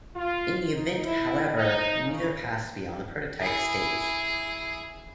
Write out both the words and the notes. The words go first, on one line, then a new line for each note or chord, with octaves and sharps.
In the event, however, neither passed beyond the prototype stage.
F4
D#4
E4
D#4
C#3
E4 G#4